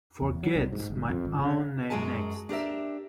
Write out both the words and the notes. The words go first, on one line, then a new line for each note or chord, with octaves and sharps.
Forget my own name next.
E2
F#3
C2
G#2
G1
F2
G#1
C#3
F#2 F#3 G#3 A#4 G#5 A5
D4 G4 A#4 E5